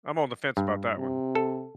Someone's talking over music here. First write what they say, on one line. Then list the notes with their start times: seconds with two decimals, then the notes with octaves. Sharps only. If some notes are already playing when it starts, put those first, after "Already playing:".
I'm on the fence about that one.
0.57 G2
0.98 C3
1.35 A4